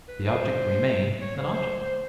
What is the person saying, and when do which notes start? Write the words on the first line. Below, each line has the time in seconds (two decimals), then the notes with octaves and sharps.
The object remained an object.
0.08 B4
0.25 C5
1.21 C#5
1.37 C5
1.54 C5
1.70 C5
1.86 C5